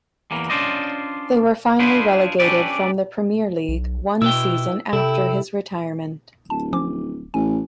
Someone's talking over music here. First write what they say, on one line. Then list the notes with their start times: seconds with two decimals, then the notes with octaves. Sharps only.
They were finally relegated from the Premier League one season after his retirement.
0.31 E2 E3 A#3
0.50 C#4 D4 F4 C5 D5 D#5
1.79 D4 E4 F4 G#4 B4 C5
2.39 C#4 D4 G4 A4 B4 D5
3.69 B1
4.22 B2 E4 B4 G5 E6
4.93 C3 E4 A4 G5
6.50 D1 A5
6.73 F3 C#4 D6
7.34 A1 G#5